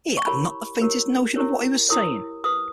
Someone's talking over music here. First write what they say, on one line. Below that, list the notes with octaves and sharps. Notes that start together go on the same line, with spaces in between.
He had not the faintest notion of what he was saying.
C#6
E4 G4 A#4 C#5 B5
E4 G4 A#4 C#5
E4 G4 A#4 C#5
E4 G4 A#4 C#5 D#6
G4 B4 D#6